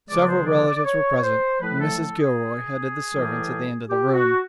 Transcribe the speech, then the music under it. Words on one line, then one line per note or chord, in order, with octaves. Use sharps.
Several relatives were present, and Mrs. Gilroy headed the servants at the end of the room.
E2 C#3 F3 G#3 D5
C5
D5
D5
C#5
C5
A2 F3 A3 B4
A4
A4
G#4
A2 E3 G3
G4
F#4